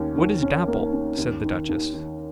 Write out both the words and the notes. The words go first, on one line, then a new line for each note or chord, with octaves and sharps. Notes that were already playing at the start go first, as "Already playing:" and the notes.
"What is Dapple?" said the duchess.
Already playing: D#2 C#4
D#2
C#4
A#3
C#4
D#2
D#3
D#2
D#3